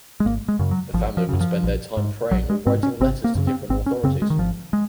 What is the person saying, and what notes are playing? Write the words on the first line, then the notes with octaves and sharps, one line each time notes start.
The family would spend their time praying or writing letters to different authorities.
G#3
G#1 A#3
G#3
F#2 C#3
F#3
G#1 F3
F3
F#2 C#3
F3
A#1
G#2
A#1 F#3
G#3
G#2 C4
C#4
G#1 C4
A#3
F#2 C#3
C4
G#1 C4
C#4
F#2 C#3 C4
G#3
D#3
G#1 F3
G#3